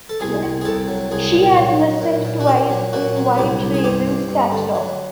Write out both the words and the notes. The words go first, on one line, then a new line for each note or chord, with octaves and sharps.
She has listed twice in White Ravens catalogue.
A4
C2 G#4
C2
G#4
C2 A4
F#3
C2 G#4
A#2
F#3
F#3
A#2
A#2
F#4
A#2 G4
F#3
A#2 F#4
F#3
C2 G4
C2
G#4
G2 G4
G2
G2
D3
F#3